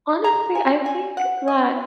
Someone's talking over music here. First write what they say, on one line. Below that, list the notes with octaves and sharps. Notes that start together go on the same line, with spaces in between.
Honestly, I think that,
A#5
G#5
G#5
F#5
D#5